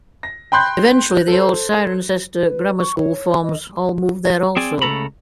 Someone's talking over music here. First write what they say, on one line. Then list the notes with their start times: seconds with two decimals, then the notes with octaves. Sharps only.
Eventually the old Cirencester Grammar School forms all moved there, also.
0.23 A#6
0.52 G5 B5 C6 F#6 G6
1.28 A4 C5
2.45 B4
2.79 C#6
2.98 C#5
3.43 D#5
4.57 C4 G#4 D5 G#5
4.82 C#2 C#3 A3 A4 A#5 B5